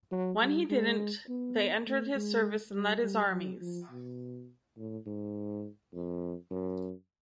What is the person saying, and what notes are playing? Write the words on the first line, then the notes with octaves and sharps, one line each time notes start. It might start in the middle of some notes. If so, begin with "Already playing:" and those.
When he didn't, they entered his service and led his armies.
F#3
G3
G#3
B3
A3
G#3
G3
G3
F#3
F3
B2
A2
G#2
F2
F#2